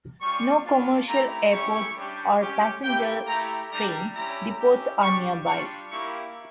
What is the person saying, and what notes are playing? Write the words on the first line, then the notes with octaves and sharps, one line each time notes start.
No commercial airports or passenger train depots are nearby.
G3 C#4 F4 C#6
A#3 D4 F4
A3 E4 G4 A#5
C#4 E4 G4 C#6
G3 D4 G4
C#4 G4
A#3 E4 G4 G5
A3 E4 G4 A#5
G3 D4 G4 A#5
C#4 E4 G4 A#5
C#4 E4 G4
G3 D4 G4 C#6
G3 D4 F4 C#6
A#3 E4 G4 C#6